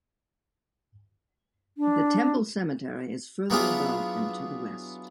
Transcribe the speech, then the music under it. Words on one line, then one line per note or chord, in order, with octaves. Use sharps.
The temple cemetery is further above and to the west.
D4
F#3 B3 D4 E4 F4 G#4